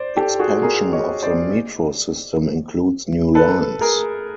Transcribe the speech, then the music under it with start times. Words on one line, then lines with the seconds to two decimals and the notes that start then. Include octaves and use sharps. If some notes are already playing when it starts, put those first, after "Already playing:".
Expansion of the metro system includes new lines.
Already playing: C5 D5
0.16 G4 A4
0.39 F#4 G#4
0.62 G#4 A#4
0.93 C#5 D#5
1.23 C5 D5
3.35 A4 B4
3.81 G#4 A#4